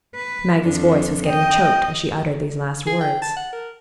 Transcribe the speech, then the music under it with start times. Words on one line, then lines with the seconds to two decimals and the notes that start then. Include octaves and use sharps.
Maggie's voice was getting choked as she uttered these last words.
0.15 B4
0.63 F2 D4
1.26 D#5 G5
2.87 G#4
3.01 G5
3.22 A5
3.37 F#5
3.53 A#4